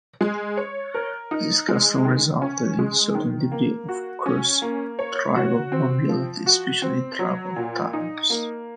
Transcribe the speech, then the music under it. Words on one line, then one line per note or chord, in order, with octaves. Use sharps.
This custom resulted in a certain degree of cross-tribal mobility, especially in troubled times.
G#3
C#5
A#4
D#4
G#3
D#3
C#4
G#3
D#3
A#3
F#4
C#4
A#3
C#5
F#4
C4
F3
F#4
C4
F#3
A#2
D#4
A#3